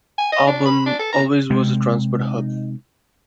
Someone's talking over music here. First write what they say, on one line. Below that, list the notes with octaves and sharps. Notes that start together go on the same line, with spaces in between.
Auburn always was a transport hub.
G#5
D#5
D4
B5
D4
A4
A#5
C3 G#3